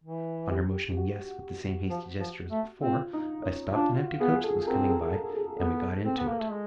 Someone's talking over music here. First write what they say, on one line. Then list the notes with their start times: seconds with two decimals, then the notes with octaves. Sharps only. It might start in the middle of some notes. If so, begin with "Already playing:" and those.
On her motioning Yes, with the same hasty gesture as before, I stopped an empty coach that was coming by, and we got into it.
0.04 E3
0.51 G4
0.97 F#4
1.90 F3
2.20 F3
2.51 A3
2.82 C4 F4
3.13 D#4
3.43 C#4
3.74 D4 F4
3.98 F#4
4.20 B3 G#4
4.44 A4
4.66 C4 A#4
4.90 A4
5.13 A4
5.36 G#4
5.58 B3 A4
6.06 C4
6.18 B3
6.28 A#3
6.40 A3
6.51 G#3